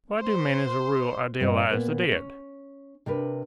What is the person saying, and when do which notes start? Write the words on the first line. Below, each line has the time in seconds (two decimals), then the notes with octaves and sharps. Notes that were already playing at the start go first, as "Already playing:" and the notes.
Why do men as a rule idealize the dead?
0.21 C5 C6
1.40 G2 C4 F4 D#5
1.70 A#2 B3
2.11 C#4
3.06 C3 D4 A#4 B4